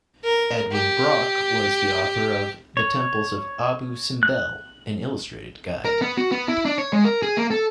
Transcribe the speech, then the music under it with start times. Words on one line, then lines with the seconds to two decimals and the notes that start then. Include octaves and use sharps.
Edwin Brock was the author of The Temples of Abu Simbel: An Illustrated Guide.
0.24 A#4
0.72 G4
2.77 C#5
4.23 F#6
5.85 A#4
6.02 B3
6.17 F#4
6.31 B3
6.48 E4
6.65 D4
6.78 C#5
6.93 G#3
7.04 A#4
7.22 G#4
7.37 A#3
7.51 A4